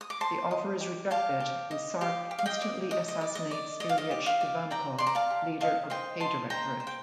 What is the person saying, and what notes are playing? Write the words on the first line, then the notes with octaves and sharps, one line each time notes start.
The offer is rejected, and Sark instantly assassinates Ilyich Ivankov, leader of K-Directorate.
D#6
D6
C5 A5 C6
D#5
G4
G4 F5 A5
G4
D#5
G4 F5
G4
F5
D#5 G5
D5
D5 D#5
D#5
D5
D#5
D5
D5 D#5
F5
D#5
G4
F5
D5
D5 G5 A#5
D5 C6
A#5
F5 A5
G4
D#5 F5 A5
C5 D#5 G5
D#5 A5 C6
C5 G5 A#5
C5
G5